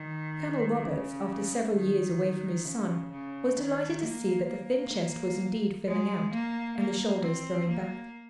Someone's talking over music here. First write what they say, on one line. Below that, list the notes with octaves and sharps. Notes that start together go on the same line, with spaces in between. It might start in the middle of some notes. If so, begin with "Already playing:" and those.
Colonel Roberts, after several years away from his son, was delighted to see that the thin chest was indeed filling out, and the shoulders throwing back.
Already playing: D#3
C#3
D#3
C#3
C#3
D#3
A#3
A#3
G#3
A#3
A#3
C4
A#3